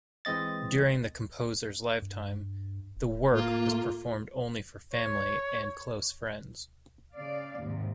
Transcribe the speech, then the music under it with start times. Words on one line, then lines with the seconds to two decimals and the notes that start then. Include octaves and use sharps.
During the composer's lifetime, the work was performed only for family and close friends.
0.25 E3 G#3 C4 D#5 A6
2.02 G2
2.97 D#1
3.34 A2 A#3 F4
4.93 C#5
7.15 C#3 D5 F5
7.60 D#2 G#2 C3